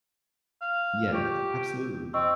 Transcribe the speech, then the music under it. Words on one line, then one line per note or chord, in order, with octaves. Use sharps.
Yes. Absolutely.
F5
F4 G4 C#6 G6
C4 D#5 C#6 E6